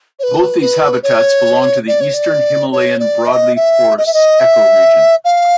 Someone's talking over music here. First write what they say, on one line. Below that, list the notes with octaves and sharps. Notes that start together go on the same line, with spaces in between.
Both these habitats belong to the Eastern Himalayan broadleaf forests ecoregion.
C#5
B4
B4
C#5
D5
C#5
D5
C#5
D5
E5
D#5
E5
D#5
E5
D#5
E5
F5